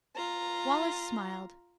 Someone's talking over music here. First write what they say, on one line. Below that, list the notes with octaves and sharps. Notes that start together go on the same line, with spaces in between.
Wallace smiled.
F4 A#5